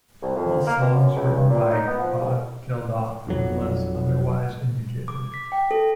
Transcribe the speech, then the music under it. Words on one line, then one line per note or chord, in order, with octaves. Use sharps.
All songs written by Bob Geldof unless otherwise indicated.
C2
F2
A#3
B2
F#2
C#2
G2
A#2
D#4
B3
F3
C2
G#1 F2 F#3
D6
B6
G5
A4